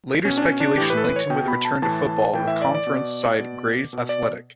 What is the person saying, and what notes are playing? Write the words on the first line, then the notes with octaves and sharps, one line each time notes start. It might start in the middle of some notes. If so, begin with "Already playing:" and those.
Later speculation linked him with a return to football with Conference side Grays Athletic.
B2 C#4
D4
C#4
D4
A2 E3 G4
B4
A4
B4
C#5
B2 G5
B5
A5
A2 E3 A5
A2 E3 G5
E5
D5
D5
B2
B2
B2
D5